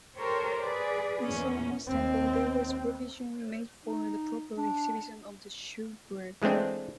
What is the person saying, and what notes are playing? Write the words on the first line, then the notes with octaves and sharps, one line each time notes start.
In Solomon's Temple, there was provision made for the proper exhibition of the shewbread.
G4 A4 A#4 C5 C#5
G#4 B4 D5
E2 A#2 C#4
D#2 C4
D#4
D4
E3 G#3 A3 C4 D4